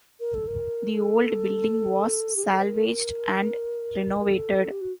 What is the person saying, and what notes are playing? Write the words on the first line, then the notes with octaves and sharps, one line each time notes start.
The old building was salvaged and renovated.
A#4
A4
A#4
A#4
A4
G4
G#4
A4
C5
A#4
A#4
A4
G4
F#4